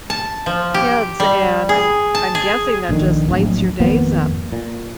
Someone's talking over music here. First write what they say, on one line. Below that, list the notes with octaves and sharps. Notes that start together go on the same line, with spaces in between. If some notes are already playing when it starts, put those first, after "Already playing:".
kids, and I'm I'm guessing that just lights your days up.
A5
F3
G4
G3
G#4
A5
G#4
A#1 D3 D#3
D1 A#1
G#1 F2 A#3 B3
A#2